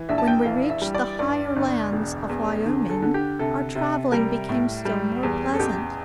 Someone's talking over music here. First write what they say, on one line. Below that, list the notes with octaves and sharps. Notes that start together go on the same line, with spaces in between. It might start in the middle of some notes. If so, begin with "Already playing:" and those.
When we reached the higher lands of Wyoming, our traveling became still more pleasant.
Already playing: E3
A#1 E5
A5
G5
E3 F5
E5
G3
D5
G2 D5
G1
E1
E2
D3
A4
D3
G4
C3 A4
C3
G3 A#4
A2
G3
E2
A4
A1 G4